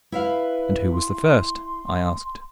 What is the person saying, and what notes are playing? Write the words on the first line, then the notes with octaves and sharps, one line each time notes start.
"And who was the first?" I asked.
E4 B4 E5 F5
C6